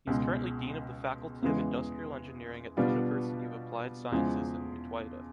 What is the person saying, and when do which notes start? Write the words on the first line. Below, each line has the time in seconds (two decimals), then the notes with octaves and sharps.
He is currently Dean of the Faculty of Industrial Engineering at the University of Applied Sciences in Mittweida.
0.07 C#2 B2 G#3
1.42 E2 C#3 E3 G#3
2.77 B2 G3 B3 D4 F4
4.12 E2 C#3 F3 G#3